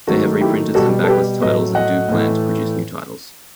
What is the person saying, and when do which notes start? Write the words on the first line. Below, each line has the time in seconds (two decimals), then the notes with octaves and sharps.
They have reprinted some backlist titles and do plan to produce new titles.
0.07 D#3 F#3 A3 F#4 A4
0.41 E4 G4
0.74 B2 G3 F#4 A4
1.04 A4
1.07 G4 B4
1.41 A2 F#3 A3 B4 D#5
1.75 D#5 F#5
2.08 A2 E3 A3